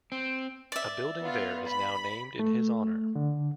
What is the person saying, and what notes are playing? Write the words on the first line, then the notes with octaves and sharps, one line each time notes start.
A building there is now named in his honor.
C4
D5 E5
B3 F4
B5
A3
D3